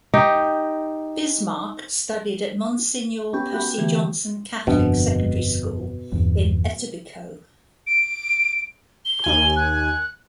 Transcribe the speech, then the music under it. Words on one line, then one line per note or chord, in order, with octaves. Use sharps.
Bismark studied at Monsignor Percy Johnson Catholic Secondary School in Etobicoke.
D#4 G4
B3 C#4 G4
B3 F#4 G4
D3 E3 A3
G1 F2 B2 D4
G1 E2
D7
G7
D#2 G#5
F#6